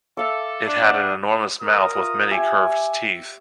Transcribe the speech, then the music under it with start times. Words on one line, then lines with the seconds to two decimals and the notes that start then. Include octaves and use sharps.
It had an enormous mouth with many curved teeth.
0.17 A4 E5 F5 D6
0.66 D4
0.88 F#5
1.61 A#4 D#6
1.97 F4
2.31 G4 C#5 E5 G#5